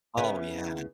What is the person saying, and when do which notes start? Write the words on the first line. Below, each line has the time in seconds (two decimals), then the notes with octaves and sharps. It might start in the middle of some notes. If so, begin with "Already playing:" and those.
Oh, yeah.
0.17 C#3 B3 E4